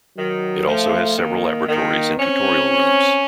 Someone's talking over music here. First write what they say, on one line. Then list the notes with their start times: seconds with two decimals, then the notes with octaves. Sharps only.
It also has several laboratories and tutorial rooms.
0.17 D#3 F#3
0.67 F3 A3
1.18 D#3 A#3
1.68 D#3 A#3
2.19 C4 C#4